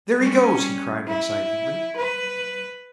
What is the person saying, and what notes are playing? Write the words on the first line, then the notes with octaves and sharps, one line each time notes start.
"There he goes!" he cried excitedly.
G3 C#4
E4
B4